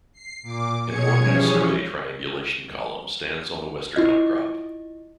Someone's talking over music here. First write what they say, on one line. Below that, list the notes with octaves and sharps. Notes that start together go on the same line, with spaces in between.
An Ordnance Survey triangulation column stands on the western outcrop.
C7
A#2 D6
B2 G#4 C#5 G#6 C#7
E3 F3 G3 C#4 G#4 C#5
E4 F4 D#5